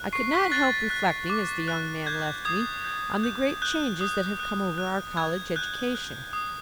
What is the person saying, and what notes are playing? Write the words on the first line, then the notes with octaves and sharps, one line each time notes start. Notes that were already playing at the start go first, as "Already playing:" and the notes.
I could not help reflecting, as the young man left me, on the great changes that have come over our college education.
Already playing: F#6
C#6 C7
B6
F#6 A6
F#6
D6
F#6
G6 G#6
D#6 G#6
G6
G6
F#6 G6
D#6
F#6
F#6
F#6 G#6
F#6 G6
F#6
D#6